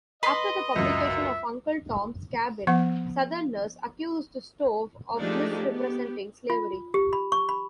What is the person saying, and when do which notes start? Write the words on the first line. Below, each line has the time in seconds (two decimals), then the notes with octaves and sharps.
After the publication of "Uncle Tom's Cabin", Southerners accused Stowe of misrepresenting slavery.
0.23 B4 D#5 B5 C6
0.76 C#2 F#2 E5
2.67 F3 B3 F#5
5.18 F3 G#3 A3 D4 D#4 G4
5.68 B3 G4
6.50 F4
6.94 G4
7.13 B5
7.32 C#6
7.49 B5